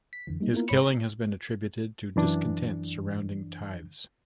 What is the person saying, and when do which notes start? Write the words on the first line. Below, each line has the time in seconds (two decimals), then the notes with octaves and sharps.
His killing has been attributed to discontent surrounding tithes.
0.13 B6
0.27 F2 D3 E3
0.40 G3 A#3 D#4
0.53 A#3 B3 E4 F4 A#4
0.68 A#1 G#2 C#5 B5 C#7
0.82 A#5
2.16 F#2 E3 D4